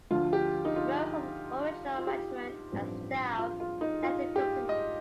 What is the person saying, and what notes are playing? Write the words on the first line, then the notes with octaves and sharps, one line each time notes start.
Most of the original management and staff left the company.
D2 D3 F3 F4
G4
D#4
F4
F4
G4
A1 G2 F3 C4
F4
F4
D#4
F4
G4
D#5